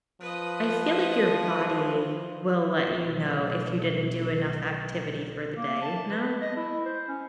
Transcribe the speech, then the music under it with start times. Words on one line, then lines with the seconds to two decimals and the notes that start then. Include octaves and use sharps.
I feel like your body will let you know if you didn't do enough activity for the day, no?
0.21 F3 B4 D#5
2.80 B1 A3
5.57 A#3
5.82 A5
6.10 B4
6.41 D#5
6.56 E4
6.86 C5
7.08 C#4